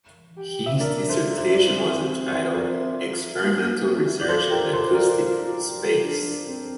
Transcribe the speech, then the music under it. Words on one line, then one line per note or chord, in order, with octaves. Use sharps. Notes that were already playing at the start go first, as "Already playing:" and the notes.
His dissertation was entitled "Experimental Research in Acoustic Space".
G4
E5
C4
D4 A#4 D5
D4
A4 C5
C5 E5
E4
D5
C4 C5 E5
C5 E5
D5
C5 E5
A#4 D5
A#3
A#3
C4
D4
E4
D5
F4 A4 C5
G4 A#4
A4 C5
C5
A#4 D5
D4
C4